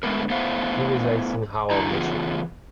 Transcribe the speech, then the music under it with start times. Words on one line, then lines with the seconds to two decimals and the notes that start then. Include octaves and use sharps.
He resides in Howell, Michigan.
0.03 D3 G#3 A3 B3 A#4
0.29 A3 B3 E4 C5 F5
1.70 D3 E4 A#5
1.89 C#3 E3 B3 F4 G#4